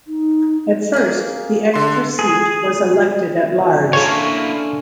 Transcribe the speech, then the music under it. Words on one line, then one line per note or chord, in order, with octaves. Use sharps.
At first, the extra seat was elected at-large.
D#4
A#3 G#4
D3 C6
G#4
D3 A#3 C#4 E4 F4 C#5